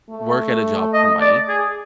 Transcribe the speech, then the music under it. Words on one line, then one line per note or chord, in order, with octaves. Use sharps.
work at a job for money,
A3
D#5
D5
G#4